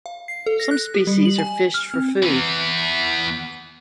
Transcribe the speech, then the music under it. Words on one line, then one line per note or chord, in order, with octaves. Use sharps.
Some species are fished for food.
F5
C7
A4
A#6
F#6
G4
G3
F#7
G#5
F6
C4
E3 B3